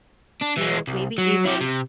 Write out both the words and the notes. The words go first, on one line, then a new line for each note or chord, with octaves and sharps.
you know, maybe even
D4
E3 G#3
C2
F#3
E4 G4
C3